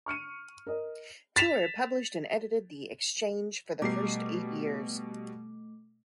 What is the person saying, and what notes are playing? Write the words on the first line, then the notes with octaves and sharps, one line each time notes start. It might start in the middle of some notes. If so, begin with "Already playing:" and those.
Tuer published and edited the "Exchange" for the first eight years.
C#6 F6 C#7 D#7
A#4 D#5
A6 B6 E7 F7
B2 G3 A3 D6 C7